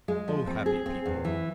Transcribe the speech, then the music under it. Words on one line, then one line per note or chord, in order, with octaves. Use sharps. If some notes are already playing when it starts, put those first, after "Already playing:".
O happy people!
G#3
F3
C4
G#4
C4
E2
E3